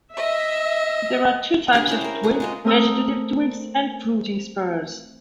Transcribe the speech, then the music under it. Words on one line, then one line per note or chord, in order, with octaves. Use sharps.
There are two types of twig, vegetative twigs and fruiting spurs.
D#5 E5
D4 G4 G#4 B4
C#4 E4 C5
A#4 G5
F#4 G#4
G#3 F4 D#5
A3 C4 A#4 D#6 E6